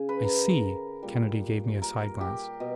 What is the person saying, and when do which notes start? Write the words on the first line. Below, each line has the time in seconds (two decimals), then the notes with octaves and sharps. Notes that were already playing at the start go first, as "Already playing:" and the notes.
"I see!" Kennedy gave me a side glance.
Already playing: C#3
0.09 B4
0.24 A#4
1.03 A#2 G3
1.82 A#4
2.21 G4
2.60 B2